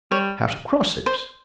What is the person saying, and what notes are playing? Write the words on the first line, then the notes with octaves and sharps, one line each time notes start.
How to cross it?
G3 C#5
C5